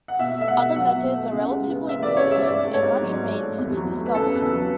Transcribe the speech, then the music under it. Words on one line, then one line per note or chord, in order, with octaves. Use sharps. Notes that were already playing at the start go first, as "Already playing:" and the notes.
Other methods are relatively new fields and much remains to be discovered.
F#5
B2 E5
A3 E5
F#5
B2
F#3 F#5
B2
A3
C#3
G#3
B3
E3 E5
C#3 D5
C#5
G#3 E5
G#2 D5
A3
C#5
G#2
F#3
G#2
A3
E2
F#3
A3
B4
C#3 A4
E2 B4
A4
F#3